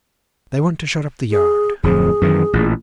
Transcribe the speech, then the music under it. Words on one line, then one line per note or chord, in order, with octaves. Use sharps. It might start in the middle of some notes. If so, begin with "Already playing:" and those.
'They want to shut up the yard.'
G#4
D1 F2 F3 G#4
F#2 D#3 E3
A1 A#2